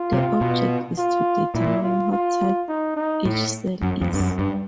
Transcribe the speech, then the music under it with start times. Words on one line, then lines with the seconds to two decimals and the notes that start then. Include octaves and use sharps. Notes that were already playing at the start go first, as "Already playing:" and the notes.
The object is to determine what type each cell is.
Already playing: F4
0.13 C3
0.41 B2
0.98 F4
1.55 A#2 E4
1.83 F4
2.12 F4
2.69 D#4
2.97 D#4
3.26 A2
3.83 F#2
4.02 F2
4.14 G2
4.20 F#2
4.39 G2